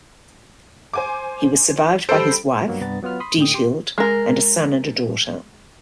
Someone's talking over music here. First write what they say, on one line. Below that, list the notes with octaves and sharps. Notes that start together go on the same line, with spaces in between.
He was survived by his wife, Diethild, and a son and a daughter.
C5 G#5 D6
G3 A4 C5 B5 D7
G2 F#3 A#3 B3
C2 G2 B3 A#5 A6
F#3 B3 F4 F6
B5 C6 D#6
A2 D3 G5 D#6
G4 C6
G#3 A#4